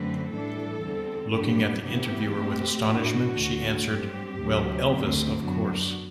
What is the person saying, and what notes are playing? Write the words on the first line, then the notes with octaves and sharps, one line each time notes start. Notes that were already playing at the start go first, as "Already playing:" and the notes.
Looking at the interviewer with astonishment, she answered: Well, Elvis of course!
Already playing: F#2 D3 A3 C4 B4
A2 E3 G3 D4 A4
E2 D3 G3 C4
G2 F#3 B3 D4 G4
C3 E3 B3 G4
B2 A3 C4
A2 E3 B3 D4 F#4
D2 D3 A3
G2 F#3 C4 G4
D2 C3 F#3
D2 D3 F#3 A3 C4
F#2 F#3 B3 D4 F#4